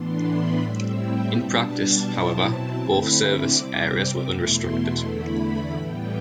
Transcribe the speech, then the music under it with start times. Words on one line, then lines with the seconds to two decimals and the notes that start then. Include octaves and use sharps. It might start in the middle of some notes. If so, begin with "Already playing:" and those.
In practice, however, both service areas were unrestricted.
Already playing: A2 E3 B3 D4 C6
0.23 B5
0.60 A2 G3 C4 E4 E5
0.97 G5
1.33 B2 G3 D4 A5
2.07 B2 F#3 C4 E4
2.80 D3 A3 C4 E4 B5
3.17 D6
3.53 C3 G3 C4 D6
3.90 D6
4.27 E2 B2 A3 E4 C6
5.00 E2 D3 A3 E4 B5
5.73 A2 E3 G3 B3 G5